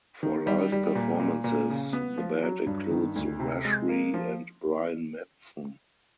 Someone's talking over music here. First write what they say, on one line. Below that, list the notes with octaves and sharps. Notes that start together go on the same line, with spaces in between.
For live performances, the band includes Rashree and Brian Matson.
D#3
G3
G3
A#2
A#2
A#2
C#3
B3
F3
F#3
G2
D#3
D2
C3
G#3
A#3
F3